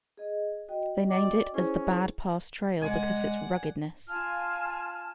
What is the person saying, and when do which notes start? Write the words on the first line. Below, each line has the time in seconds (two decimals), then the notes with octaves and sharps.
They named it as the Bad Pass Trail because of its ruggedness.
0.17 G#4 D#5
0.69 F#4 D#5 G5
1.10 D5
1.54 C#4 E4 G#4 C5
2.82 C2 G#3 D5 F#5 G#5
4.08 F4 G#5 A5 F6